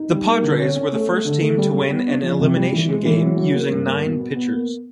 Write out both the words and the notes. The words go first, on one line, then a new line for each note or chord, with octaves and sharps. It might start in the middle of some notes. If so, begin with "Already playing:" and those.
The Padres were the first team to win an elimination game using nine pitchers.
Already playing: D#4
G3
A#3
D3
C#4
C#4
A3
A3
D3
A3
G3
G3
B3
D4
F3
C3
G3
E3
G#3
E3
F#3
F#3
A#3
G2
A#3
B2
B3
B3
A#3